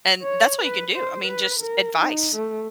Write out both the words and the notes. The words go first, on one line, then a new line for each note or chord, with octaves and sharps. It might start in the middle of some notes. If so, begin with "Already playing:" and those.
and, that's all you can do, I mean, just advice.
C#5
B4
C5
B4
A#4
D#4
A3